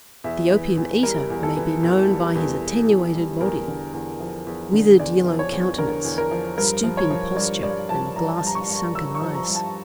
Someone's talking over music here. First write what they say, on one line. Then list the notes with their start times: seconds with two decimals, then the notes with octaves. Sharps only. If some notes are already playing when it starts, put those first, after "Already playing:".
The opium-eater may be known by his attenuated body, withered yellow countenance, stooping posture, and glassy, sunken eyes.
0.24 E2 E5
0.50 E3
0.77 E2
1.03 G3 A#4
1.30 E2
1.43 A4
1.56 E3
1.83 E2
2.09 G3
2.35 E2
2.62 E3
2.88 E2
3.15 G3
3.41 E2 A#4
3.67 D3
3.93 E2
4.20 F3
4.47 E2
4.73 D3
4.99 E2 D5
5.25 F3
5.39 C#5
5.52 E2
5.78 D3 A#4
6.04 E2
6.18 A#4
6.31 F3
6.58 G2 A#4
6.83 F3
6.97 C#5
7.10 F3
7.37 G2 D5
7.63 G2 D5
7.89 F3 A5
8.16 F3 A#5
8.38 A5
8.42 G2 A#5
8.55 C#6
8.68 G2
8.95 F3 E6
9.15 C#6
9.21 F3
9.35 A#5
9.48 G2
9.55 A5